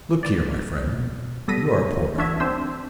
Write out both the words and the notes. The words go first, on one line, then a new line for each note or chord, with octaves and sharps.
'Look here, my friend, you are a poor man.
D5
B2
G3 B3 A4 A#6 B6 D#7
E3 D4 F#4 E5 G#6
C4 D4 C5 C6 E6